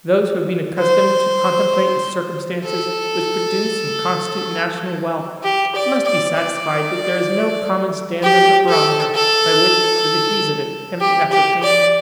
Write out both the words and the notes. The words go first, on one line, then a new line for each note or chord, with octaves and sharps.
Those who have been accustomed to contemplate the circumstances which produce and constitute national wealth, must be satisfied that there is no common standard or barometer by which the degrees of it can be ascertained.
C5
A4
G4
D5
D5
D5
G4
A4
A4
G4
G4
D5